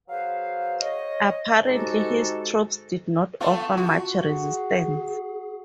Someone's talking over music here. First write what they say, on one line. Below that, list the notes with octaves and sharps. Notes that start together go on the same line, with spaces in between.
Apparently, his troops did not offer much resistance.
F#3 G#4 B4 C5 F5
C#5 D#5
G#2 G#3 D#4 F#4 G4 A4
A3 B3 F4 A5
F4 F#4
G#4